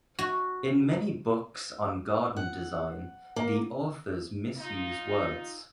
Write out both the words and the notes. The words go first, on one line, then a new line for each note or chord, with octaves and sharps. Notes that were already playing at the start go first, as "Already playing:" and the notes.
In many books on garden design the authors misuse words.
F#4
F#5
A#3
D#4 F4